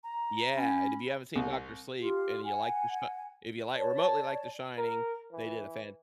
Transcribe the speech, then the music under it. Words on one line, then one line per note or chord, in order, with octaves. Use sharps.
Yeah, and if you haven't seen Doctor Sleep and you like The Shi if you like remotely like The Shining, they did a fan
A#5
C#4 B5
C2
F4 G4
F#5 G#5
C#5 D5 A5
A#4
E3